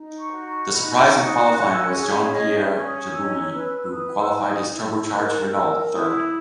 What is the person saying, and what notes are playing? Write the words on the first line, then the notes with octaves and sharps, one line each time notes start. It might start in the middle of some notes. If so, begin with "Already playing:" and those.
The surprise in qualifying was Jean-Pierre Jabouille who qualified his turbocharged Renault third.
Already playing: D#4
C#6
F#4
C#6
D#4 B5
C#6
F#4
D#6
C#4 F#6
E6
G#4 C#6
B5
C#4 D#5
E5
C#4
C#6
D#6
D#4 E6
B4
E6
B4 D#6
E6
D#4
D#6
E4
E6
A#4 F#6
A#4 E6
E4 D#6